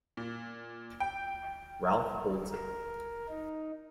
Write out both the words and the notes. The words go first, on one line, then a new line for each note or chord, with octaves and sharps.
Ralph holds it.
A#2
G5
A#4
D#4